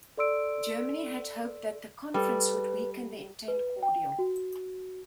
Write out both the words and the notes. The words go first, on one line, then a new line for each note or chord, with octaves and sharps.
Germany had hoped that the Conference would weaken the entente cordial.
A4 D5 C6 E6 D7
G3 A4 B4
B4
G5
F#4